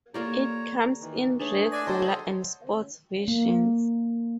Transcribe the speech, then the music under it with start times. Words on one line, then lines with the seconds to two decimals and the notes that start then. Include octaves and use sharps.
It comes in Regular and Sports versions.
0.14 A#3 F4 G4 A4 C#5 D5 A#5
1.00 D#3 E3
1.39 A3 D4 G#4 B4 C#5
1.72 D4 D5 G#5 A#6
1.87 F#3 A4 C5 D#5 G5 A#5 C6
3.28 A#3